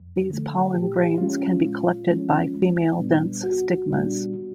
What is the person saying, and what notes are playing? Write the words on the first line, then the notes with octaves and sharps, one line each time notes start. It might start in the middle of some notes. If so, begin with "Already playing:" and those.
These pollen grains can be collected by female dense stigmas.
Already playing: F2
D3 F3 A3
A#2 G4
F3 G#3 C#4 F4
A#2
F3 G#3 C#4
C2
A#2 G3 B3 D4
C2 F#4
A#2 G3 B3 D4